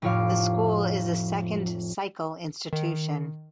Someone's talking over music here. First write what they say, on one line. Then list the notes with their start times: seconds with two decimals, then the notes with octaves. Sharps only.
The school is a second cycle institution.
0.02 F1 A2 F3 C#5 F5 D6
2.73 D#3